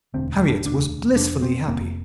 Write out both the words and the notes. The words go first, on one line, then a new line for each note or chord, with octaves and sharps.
Harriet was blissfully happy.
E1 D2 D3 C4
D4
E1 D2 D3 D4
F1 F2 C3 D4
C4
F1 F2 C3 A#3